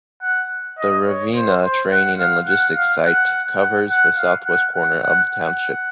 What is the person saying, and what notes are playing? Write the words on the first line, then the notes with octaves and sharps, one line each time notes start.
The Ravenna Training and Logistics Site covers the southwest corner of the township.
F#5
D#5
C#5
C5
C5
F#5
F5
F#5
F5
F#5
F#5
F#5
F5
F#5
F#5
F#5
F#5